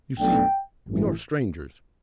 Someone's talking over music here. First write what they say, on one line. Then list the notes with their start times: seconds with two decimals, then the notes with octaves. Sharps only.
"You see, we are strangers."
0.19 B1 B2 A3 D4 G5
0.88 A1 G2 E3